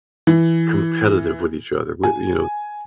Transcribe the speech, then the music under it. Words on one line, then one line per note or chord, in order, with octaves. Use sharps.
competitive with each other, with, you know,
E3
G#5